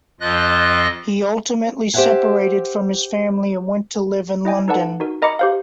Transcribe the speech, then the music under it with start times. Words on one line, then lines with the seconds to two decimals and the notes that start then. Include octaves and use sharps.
He ultimately separated from his family and went to live in London.
0.20 F2 F3 F4 D#5 F#6 A#6
1.94 G4 C5 C#5 E5 F#5 G#5
4.45 E4 D#5 G5 G#5
4.68 D#4 A4 B4 D5 F#5 A5
5.00 D#4 F#4 A#4
5.22 A#4 D#5 A#5 B5 D6 C#7
5.39 G4 C5 F5